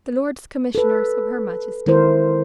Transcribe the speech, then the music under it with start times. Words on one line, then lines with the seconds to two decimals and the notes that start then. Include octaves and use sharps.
"The Lords Commissioners of her Majesty."
0.75 A4 B4
1.86 D#3 G#3 E4 A#4 C5